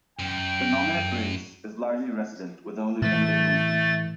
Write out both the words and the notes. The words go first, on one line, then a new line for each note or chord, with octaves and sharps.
The nominate race is largely resident, with only limited movement.
F#2 G5
A2 E3 A3 A6